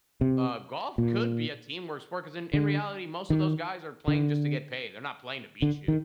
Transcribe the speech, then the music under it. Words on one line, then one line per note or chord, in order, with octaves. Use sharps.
uh, golf could be a teamwork sport 'cause in in reality, most of those guys are playing just to get paid. They're not playing to beat you.
C3
A#2
D3
D#3
D3
D3
D#3